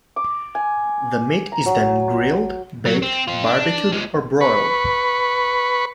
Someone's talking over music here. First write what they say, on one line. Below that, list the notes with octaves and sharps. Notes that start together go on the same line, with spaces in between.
The meat is then grilled, baked, barbecued, or broiled.
D6
G#5
A#5
F#3
F#3
C4
C4 F4
D4
F3 G#3
B4 B5 C#6